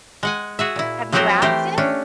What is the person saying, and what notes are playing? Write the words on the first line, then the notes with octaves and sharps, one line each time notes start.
Have you asked him?
G#3 F#5 G#5
F#4 G#4 E5
A#2 E4
F3 F#3 A#3 C4 F#4 G4
E3 A3 G4 A#4 C5
A3 C#4 D4